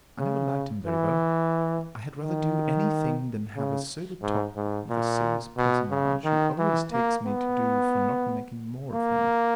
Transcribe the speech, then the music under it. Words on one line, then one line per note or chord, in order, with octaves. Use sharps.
I never liked him very well; I had rather do any thing than have a sober talk with a serious personage, who always takes me to do for not making more of him.
C#3
E3
D#3
C#3
G#2
G#2
A#2
B2
C#3
D#3
E3
A#3
B3
A#3